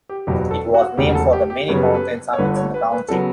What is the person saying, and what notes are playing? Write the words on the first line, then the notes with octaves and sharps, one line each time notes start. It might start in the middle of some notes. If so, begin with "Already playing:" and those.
It was named for the many mountain summits in the county.
G4
F#1 E2 B2 F#3 B3 G4
A4
F#4
E1 D2 C#3 G4
A4
G4
G4
F#2 C#3 G3 B3 C#5
B4
A4
B4
C#5
G1 G2 D3 B4
C#5
B4
B4
C#3 F#3 B3 A4